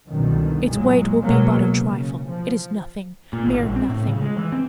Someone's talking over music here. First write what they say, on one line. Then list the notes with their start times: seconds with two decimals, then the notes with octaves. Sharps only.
Its weight will be but a trifle--it is nothing--mere nothing.
0.10 C2 F#2 B2 D3 D#3
0.71 A#2 F#3 G#3
1.24 B2 F#3 G#3 A#3
1.76 C#3
2.29 F3
3.33 A#2
3.46 G#1
3.62 A#1
3.76 C4
3.89 A2
4.07 C#3
4.22 G#3
4.37 E3
4.52 C4